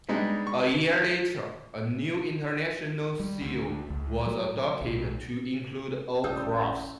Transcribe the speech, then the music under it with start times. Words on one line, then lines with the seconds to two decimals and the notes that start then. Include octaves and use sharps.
A year later, a new International seal was adopted to include all crafts.
0.09 G3 G#3 B3 D4 D#4 B4
0.47 C#6
3.20 G3
3.41 D2
3.90 C#2
4.26 F#3
4.81 B1
6.24 A1 F#2 G3 C#4 D#6 E6 G6